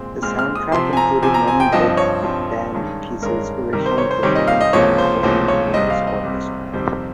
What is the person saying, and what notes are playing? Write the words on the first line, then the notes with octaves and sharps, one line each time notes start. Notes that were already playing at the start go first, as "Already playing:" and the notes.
The soundtrack included many big band pieces originally performed by Glenn Miller's orchestra.
Already playing: A#2 G#3 C4
A#2 G#3 C4 F6
F6
D#6
C3 F3 C4 C6
G#5
A#5
C3 F3 C4 G#5
A#5
G#5
G5
G2 F3 C4 D#5
C#5
G2 F3 C4
G2 D#3 G#3 C#4
G2 D#3 G#3 C#4 A#4
C3 D#3 G3 A#4
C5
C#5
C5
C3 D#3 G3 C#5
D#5
F5
D#5
C#2 C3 F3 A#3 C#4 C#5
C5
C#2 C3 F3 A#3 C#4 C5
C#5
C2 C3 G3 C4 D#5
F5
D#5
C2 C3 G3 C4
F2 C3 D#3 G3 C4 C5